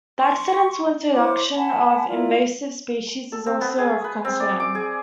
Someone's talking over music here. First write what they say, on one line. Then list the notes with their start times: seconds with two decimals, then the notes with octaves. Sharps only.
The accidental introduction of invasive species is also of concern.
0.21 C6 C#6
1.14 E4 C5 C#5 D6
1.55 F#5 G#5 A5 B5
2.09 E4 F4 A#4 D5
3.32 A4
3.46 C4
3.61 B3
3.78 G#4
4.04 B4
4.25 C4
4.40 D5
4.60 D6
4.75 G#4